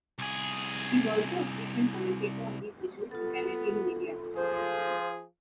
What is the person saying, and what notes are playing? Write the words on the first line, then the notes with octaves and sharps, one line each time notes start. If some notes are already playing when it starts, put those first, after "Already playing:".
She is also a frequent commentator on these issues for Canadian media.
C2 G#4
B3 F4 A4
F3 G#4 C5